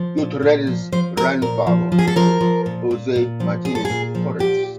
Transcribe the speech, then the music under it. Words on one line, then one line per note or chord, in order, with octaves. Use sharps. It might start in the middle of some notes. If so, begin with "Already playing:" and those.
Gutierrez grandfather was Jose Martinez Torres.
Already playing: F3
A#2
A#2
F3
F3 C5
F3 A#4
A#2 A#4
F3
F3
G#4
A4
F3 A#4
F3
A#2
A#2
A#2
F3
A#2 G#4
A4
G#4
A#2
F3
A#2 G4